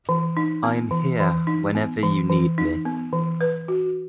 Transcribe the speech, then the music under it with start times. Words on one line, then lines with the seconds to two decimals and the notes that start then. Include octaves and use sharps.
I'm here whenever you need me.
0.09 E3
0.37 D#4
0.63 B3
0.91 E3
1.20 E3
1.47 D#4
1.75 B3
2.03 E3
2.30 E3
2.58 D#4
2.85 B3
3.13 E3
3.41 B4
3.68 F#4